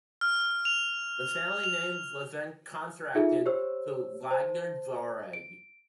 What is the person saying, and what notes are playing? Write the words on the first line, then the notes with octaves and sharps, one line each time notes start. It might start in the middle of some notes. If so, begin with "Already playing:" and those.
The family name was then contracted to "Wagner-Jauregg".
F6
F7
F7
D#4 F4 G#4 A4 E5
G4 C5 C#5 E6
C5 A5
D7